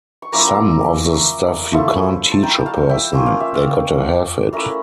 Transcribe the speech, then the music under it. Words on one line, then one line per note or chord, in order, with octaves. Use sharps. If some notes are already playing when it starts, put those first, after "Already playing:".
Some of the stuff you can't teach a person; they gotta have it.
C#6
F3 A#3 C#4 E4 A#5 D6
F3 A3 E4 A5 C#6
A5
G5 A#5
F5 A5
E5 G5
A#3 C#4 F4 G5
F5
E5
D5 F5
A3 C#4 E4 A#4 D5